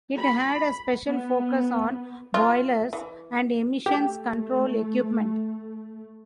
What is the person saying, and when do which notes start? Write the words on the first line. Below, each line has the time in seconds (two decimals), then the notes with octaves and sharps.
It had a special focus on boilers and emissions control equipment.
0.17 B5
1.06 B3
2.34 F4
2.93 E3
3.86 A3 G4